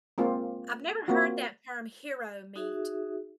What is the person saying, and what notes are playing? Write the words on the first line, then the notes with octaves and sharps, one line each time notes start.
I've never heard that term "hero meat."
G#3 A#3 C4 F4
A#3 C4 F4 F#4
D#4 F#4 G#4 E5